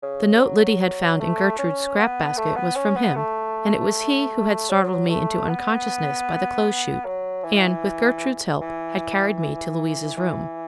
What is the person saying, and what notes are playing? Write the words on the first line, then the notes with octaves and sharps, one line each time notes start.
The note Liddy had found in Gertrude's scrap-basket was from him, and it was he who had startled me into unconsciousness by the clothes chute, and, with Gertrude's help, had carried me to Louise's room.
C#3
F#3
F#3
A3
C#4
B3
A3
B3
C#4
B3
A3
F#3
A3
B3
F#3
E3
E3
E3